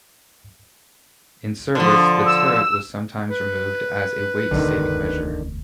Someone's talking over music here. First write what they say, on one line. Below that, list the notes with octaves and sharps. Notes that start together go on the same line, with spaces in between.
In service, the turret was sometimes removed as a weight saving measure.
D3 F3
E6
B4
E1 D2 D3 D#3